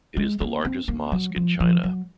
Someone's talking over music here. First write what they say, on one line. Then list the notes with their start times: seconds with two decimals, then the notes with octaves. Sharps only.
It is the largest mosque in China.
0.17 G#3
0.41 A#3
0.65 C4
0.88 A#3
1.12 F#3
1.36 F3
1.60 F3
1.83 F#3